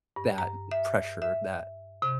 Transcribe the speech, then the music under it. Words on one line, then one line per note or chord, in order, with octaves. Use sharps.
that pressure, that
G2
A#5
E5
E5
C3